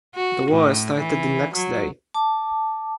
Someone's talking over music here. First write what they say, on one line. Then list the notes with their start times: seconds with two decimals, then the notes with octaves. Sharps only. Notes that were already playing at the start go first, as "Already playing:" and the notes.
The war started the next day.
0.15 F#4
0.51 A2
0.99 E3
1.54 F#3
2.14 A5 D6